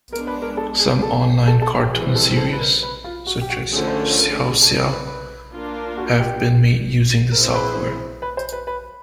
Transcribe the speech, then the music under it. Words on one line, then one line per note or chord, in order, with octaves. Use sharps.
Some online cartoon series, such as "Xiao Xiao", have been made using the software.
G#3 B3 D4 A#4
B4
A#4
A4
G#4
A4
A4
A4
G4
E3 G3 C4 G#4
A4
A4
B4
A#4
B4
F4
F#4
G4
F#4
D3 F3 A3 C#4 G#4
C5
A#4
A#4
A4
G#4
A4
A#4
B4
B4
A#3 D4 F4 A#4
F#4
G4
C4 E4 G#4 A#4 C5
B4
B4
C5
B4
B4